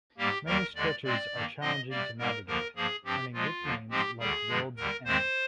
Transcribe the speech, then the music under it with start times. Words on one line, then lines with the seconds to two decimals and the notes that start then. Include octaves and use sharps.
Many stretches are challenging to navigate, earning nicknames like World's End.
0.18 G#2 G3 A#3 G4
0.46 D#2 D#3 G3 A#3 A#4
0.75 D#2 D3 G#3 D5
1.04 A#2 G#3 C4 D5
1.33 G2 D#3 A#3
1.61 A#2 F3 C4 D#5
1.90 C3 G3 A#3 D5
2.19 G#2 G3 A#3 A#4
2.47 D#2 D3 F3 A#3 A#4
2.76 G2 F3 A#3 G#4
3.05 G2 F3 C4 G4
3.33 A#2 F3 G#3 F4
3.62 D#2 D3 F3 A#3
3.91 G#2 F3 G#3 C4 G4
4.19 D2 D3 G3 G#4
4.48 G2 D3 F3 G#3
4.77 D#2 D3 G3 A#4
5.05 D#2 D#3 G#3 C4 C5